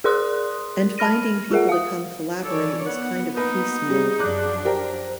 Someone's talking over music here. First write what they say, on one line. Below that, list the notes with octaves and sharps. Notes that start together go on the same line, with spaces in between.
And finding people to come collaborate was kind of piecemeal.
G#4 A#4 D5 C6 D#6 F#6
A5 B5 F6 A#6 D#7
F4 G#4 A#4 E5 F#5
F5 D#6
E3 A4 C#5 D5
B3 F#5
A#3 D#4 A#4 B4
G3 G#4
F#2 F3 D4 D6 F#6
G4 A#4 C5